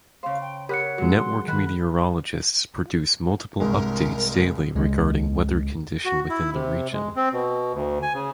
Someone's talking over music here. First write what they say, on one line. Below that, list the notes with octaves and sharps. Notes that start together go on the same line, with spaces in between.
Network meteorologists produce multiple updates daily regarding weather condition within the region.
C#3 C5 F5
G5
G4 A#4 C#5 F#5 B5 F#6 C#7
F#3 G#3 F#4
C6
D#3 F#4 B4 B5 F#6
C2 G2 G#3 A#4
C#2 G#3 C#4
F#4
E4
C3
G#3
C4
B2
D2
G#5
C#3